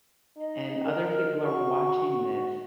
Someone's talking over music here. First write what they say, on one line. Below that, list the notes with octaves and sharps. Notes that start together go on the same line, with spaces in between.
and other people are watching this,
D#4 D#5
A#4
F#4 C#6